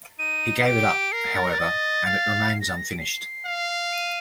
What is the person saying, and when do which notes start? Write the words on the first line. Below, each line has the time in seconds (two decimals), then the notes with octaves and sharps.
He gave it up, however, and it remains unfinished.
0.19 D#4 D#7
0.57 C7
0.66 G4 D7
1.12 A#4 C7
1.35 A6
1.44 A#6
1.52 A6
1.59 D#5
2.06 F5
2.53 C7
2.61 A#6
2.69 A6
2.77 A#6
2.91 D7
2.99 C7
3.46 F5
3.93 D#7